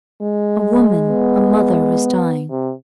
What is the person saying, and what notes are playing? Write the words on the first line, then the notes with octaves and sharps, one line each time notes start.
A woman, a mother, was dying.
G#3
B3
C3